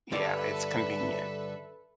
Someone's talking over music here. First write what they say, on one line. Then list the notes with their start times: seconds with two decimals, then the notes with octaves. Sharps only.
yeah, it's convenient.
0.12 G2 D3 A4 B4 D5 E5